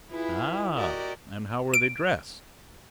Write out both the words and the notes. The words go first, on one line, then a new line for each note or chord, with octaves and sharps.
"Ah! and how were they dressed?"
E4 F4 G#4 B4
F#4 G4 A#4 D5 D#5
D7